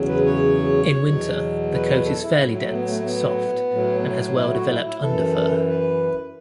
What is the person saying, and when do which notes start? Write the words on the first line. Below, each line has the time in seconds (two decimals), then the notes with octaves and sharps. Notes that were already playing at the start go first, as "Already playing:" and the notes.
In winter, the coat is fairly dense, soft, and has well-developed underfur.
Already playing: E2 C#3 F#3
0.08 B4
0.26 C#5
1.07 E2 B2 F#3
1.74 B4
1.90 B4
2.06 A4
2.22 E4
2.39 A2 F#3
2.56 A3
2.72 B3
2.88 A3
3.04 B3
3.71 A2 F#3
4.36 E4
4.53 F#4
4.69 E4
4.86 E4
5.02 F#2 E3 A4
5.69 B4